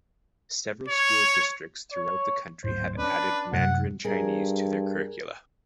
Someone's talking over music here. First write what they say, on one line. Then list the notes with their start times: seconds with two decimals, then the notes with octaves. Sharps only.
Several school districts throughout the county have added Mandarin Chinese to their curriculae.
0.88 C#5
1.92 C#5
2.64 D1 G#2 C5
2.98 C#4 D4 B4
3.52 F#2 C3 F#5
4.05 G2 G#4 A#4